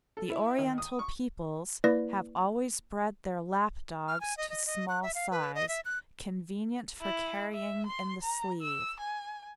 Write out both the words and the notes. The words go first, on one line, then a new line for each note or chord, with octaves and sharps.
The Oriental peoples have always bred their lap dogs to small size, convenient for carrying in the sleeve.
A4
E4
D#3
D#6
C#6
A#3 E4 B4 D5 A#6
F6
G#5
D#5
D#5
D#5
F#6
E5
F5
B4
D#5
E5
F#6
E4
E5
C6
A#5
E6
G#5